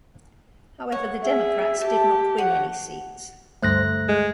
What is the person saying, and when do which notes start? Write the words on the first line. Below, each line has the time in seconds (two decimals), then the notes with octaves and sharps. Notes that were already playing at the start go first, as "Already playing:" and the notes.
However, the Democrats did not win any seats.
0.92 C#5 F#5
1.23 G#4 E5
1.81 G4 A5
2.38 C#5 F#5
3.62 D2 G2 A3 C5 F#6 A#6
4.09 G#3